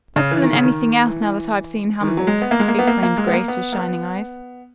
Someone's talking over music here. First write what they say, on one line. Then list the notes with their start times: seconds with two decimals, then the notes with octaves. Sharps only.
"Better than anything else, now that I've seen 'Hamlet'!" exclaimed Grace, with shining eyes.
0.16 C#3
0.31 E3
0.42 D#3
0.53 C#3
0.63 D#3
1.06 E3
1.22 E3
2.01 D#3
2.07 E3
2.17 F#3
2.27 G#3
2.42 B3
2.51 A#3
2.60 G#3
2.68 A#3
2.79 B3
2.87 A#3
3.03 A#3
3.18 G#3
3.27 B3
3.33 A#3
3.48 B3
3.73 A#3
3.78 B3